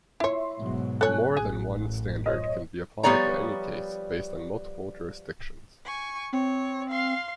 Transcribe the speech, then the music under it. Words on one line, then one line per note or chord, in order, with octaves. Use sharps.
More than one standard can be applied to any case based on multiple jurisdictions.
E4 C#5 E5 C6
G#2 B2 F#3
A4 C#5 G#5 F#6
A1 F#2 G#4
C5 C#5 D#5
F3 G3 B3 C#5 D5 A#5
G#5 C#6
C4 C#5
F5 C6